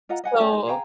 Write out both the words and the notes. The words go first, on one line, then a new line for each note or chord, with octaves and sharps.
S so
F4 D#5 F#5 A#5
D#5 F#5 G#5
C#4 G#4 D5 G5
D#4
G#4 F5 G5 A#5